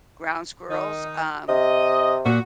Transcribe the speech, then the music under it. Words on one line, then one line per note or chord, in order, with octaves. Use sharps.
Ground squirrels, um,
D#3 D#4
C3 D#5
A#2 F#4